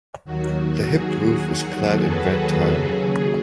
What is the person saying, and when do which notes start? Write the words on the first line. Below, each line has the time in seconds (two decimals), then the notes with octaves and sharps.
The hip roof is clad in red tile.
0.24 D#2 D#3 F#3 F#4
0.85 G#4
1.16 F#4
1.77 A4
2.09 B4
2.39 A4
2.69 D#2 C#3 F#3 G#4